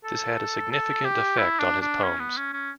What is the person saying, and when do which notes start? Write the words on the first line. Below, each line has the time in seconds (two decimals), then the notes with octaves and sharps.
This had a significant effect on his poems.
0.04 A4
0.71 A4
1.04 G4
1.38 E4
1.59 D4
1.81 D4
2.03 C#4
2.20 B3
2.37 C#4
2.53 C#4